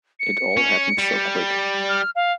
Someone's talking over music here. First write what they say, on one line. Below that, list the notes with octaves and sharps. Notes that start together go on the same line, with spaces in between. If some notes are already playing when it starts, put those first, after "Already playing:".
It all happened so quick.
C#7
C#4
G3
F6
F5